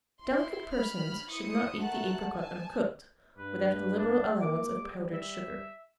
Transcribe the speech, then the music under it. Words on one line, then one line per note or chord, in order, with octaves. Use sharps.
Delicate persons should not eat the apricot uncooked, without a liberal allowance of powdered sugar.
E4 C6
B5 F6
E4 C5 D#6 C#7
A3 A#4 F#5 A5 F#6
G#5 A5
G2 B4
D4
A#3 D6
G3
E5